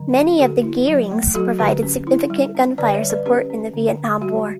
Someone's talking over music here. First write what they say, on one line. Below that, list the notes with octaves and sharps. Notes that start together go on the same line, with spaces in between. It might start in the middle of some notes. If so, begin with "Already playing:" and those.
Many of the "Gearing"s provided significant gunfire support in the Vietnam War.
Already playing: D3 F#3
C#4
D3 F#4 A4
E4
F#3
A3
F#3 F#4 A4
D3 G4 B4
C#4
E4
G3
C#4
D3 B4 D5
C#5 E5
G3
B4 D5
C#4 G4 B4
C#4
D3
D3
G3 F#4